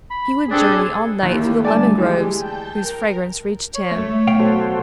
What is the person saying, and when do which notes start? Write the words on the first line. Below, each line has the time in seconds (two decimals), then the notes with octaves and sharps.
He would journey all night through the lemon groves, whose fragrance reached him.
0.11 B5
0.51 C4 D4 G#4 A4 D5 F#6
1.23 D#2 A#3 E4 G4
1.65 D3 G3 A3 D5 G#5 A5
1.98 E3 G#3 G4
2.37 G5 A5 G6
2.78 A#4
3.75 C#5
3.91 A3
4.27 B1 F5 G5
4.40 F#4 A4 C5